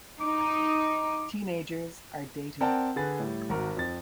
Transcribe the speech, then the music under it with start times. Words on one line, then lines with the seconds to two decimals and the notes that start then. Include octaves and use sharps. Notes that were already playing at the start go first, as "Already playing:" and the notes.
Teenagers are dating.
0.21 D#4 D6
2.61 C4 A#4 D5 F#5 G5 A5
2.96 D3 G#4 B4 A6
3.19 A2 G3
3.49 G#1 F#4 A#4
3.77 F2 A6